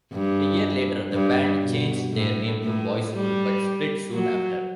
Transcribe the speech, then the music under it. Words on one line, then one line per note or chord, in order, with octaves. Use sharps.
A year later the band changed their name to Boyschool but split soon after.
G2
G2
B2
A2
A2
G3
F#3